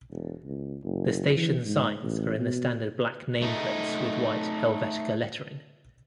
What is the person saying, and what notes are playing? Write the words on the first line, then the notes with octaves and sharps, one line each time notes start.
The station's signs are in the standard black name plates with white Helvetica lettering.
E1
C#2
F#1
E3
G#2
A1
B2
A3 D#4